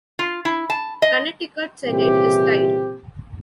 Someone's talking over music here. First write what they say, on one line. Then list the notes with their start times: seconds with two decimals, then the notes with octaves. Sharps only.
Connecticut Senate is tied.
0.19 F4
0.45 E4
0.70 A5
1.02 D#5
1.85 C2 A#2 C#3 E3 C4 G4